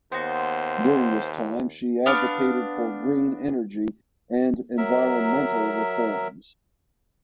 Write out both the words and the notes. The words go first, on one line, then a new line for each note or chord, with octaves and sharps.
During this time she advocated for green energy and environmental reforms.
D#2 B3 F#4 C5 C6
B3 D4 F5 D6
F#3 A#4 E5